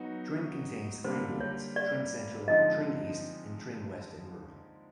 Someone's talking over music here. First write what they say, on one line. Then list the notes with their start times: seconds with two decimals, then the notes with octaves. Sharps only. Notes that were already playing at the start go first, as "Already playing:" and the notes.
Tring contains three wards: Tring Central, Tring East and Tring West and Rural.
Already playing: F#3 B3 D#4 F#4
1.04 D3 G3 A#3 C5
1.41 C#5
1.76 D5
2.48 D3 F3 G#3 C4 D#4 D#5